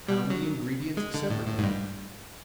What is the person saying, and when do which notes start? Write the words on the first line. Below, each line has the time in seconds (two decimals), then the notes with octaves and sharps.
Pound the ingredients separately.
0.08 G3
0.30 F#3
0.97 G#3
1.14 D3
1.30 A2
1.47 A2
1.58 G#2
1.63 G2